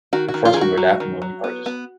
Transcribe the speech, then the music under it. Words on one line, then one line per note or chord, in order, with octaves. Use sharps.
At first we were laughing when we heard it.
D#3 F#4
F#4
D#3
F4
G#4
D#3 F#4
F#3
D#3
F#3
B3
B3